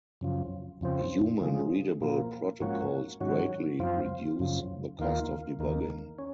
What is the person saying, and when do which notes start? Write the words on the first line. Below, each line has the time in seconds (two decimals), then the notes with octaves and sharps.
Human readable protocols greatly reduce the cost of debugging.
0.21 F#2 C#3 F3
0.81 F2 C#3 F3 C4
1.41 C#3 F3 G#3
2.01 A#2 F3 A#3
2.60 G#2 F3 A#3 C#4 F#4
3.20 G#2 D#3 F#3 C#4 F#4
3.79 F#2 F3 C4 F4
4.39 F#2 C#3 F3
4.99 D#2 D#3 A#3 F4
5.59 D#2 D#3 A#3
6.19 C#4